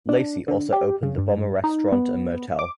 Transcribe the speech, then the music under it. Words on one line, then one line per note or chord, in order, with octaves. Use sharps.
Lacey also opened the Bomber Restaurant and motel.
D4
D3
G4
C#3
G2
D#4
B3
D6